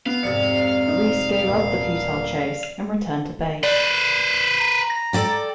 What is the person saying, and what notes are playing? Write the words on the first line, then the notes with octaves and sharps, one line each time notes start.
Rees gave up the futile chase, and returned to base.
B3 F5
F2 G#2 C3 D5 C#7
D#4
D#1
B4 C5 D5
A#5
A#6
A4 D5 G5